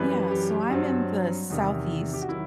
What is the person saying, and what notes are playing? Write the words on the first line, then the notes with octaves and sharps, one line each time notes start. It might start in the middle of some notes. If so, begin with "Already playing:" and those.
Yeah, so I'm in the southeast,
Already playing: F#2 E3 G3 B4
G4
G2 F#3 C4
E2 C3 D#3
G4
F#4
D#3 F#3 E4